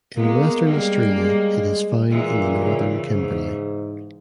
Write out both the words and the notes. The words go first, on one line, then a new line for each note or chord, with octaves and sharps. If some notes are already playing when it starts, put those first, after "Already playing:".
In Western Australia it is found in the northern Kimberley.
G#3 A#3 B3
G3 G#3 A#3
G#3
A#2 E3 G#3
C#3 E3
G#2 C#3 E3